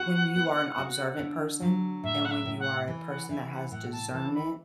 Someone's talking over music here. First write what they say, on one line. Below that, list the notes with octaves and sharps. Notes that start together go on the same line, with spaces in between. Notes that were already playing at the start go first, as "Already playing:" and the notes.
when you are an observant person, and when you are a person that has discernment,
Already playing: B3 F#4 F#5
B3
F#4
D3
F#3
A2 E5
F#5
E5
A2
F#5
E3
F#5
E3 E5
F#5
A2 F#5
A5
E3 A5
B5